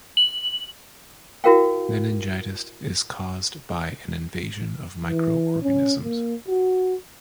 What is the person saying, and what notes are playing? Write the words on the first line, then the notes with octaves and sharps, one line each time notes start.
Meningitis is caused by an invasion of micro-organisms.
F#7
E4 F#4 A#4 F5 G5
E3
C#4
A#3
F#4